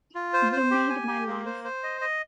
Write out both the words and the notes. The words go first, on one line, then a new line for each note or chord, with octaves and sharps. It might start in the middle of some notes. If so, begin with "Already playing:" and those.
You made my life.
F4
C5
C5
G4
G#5
G4
A#3
C5
C5
D#5
D#5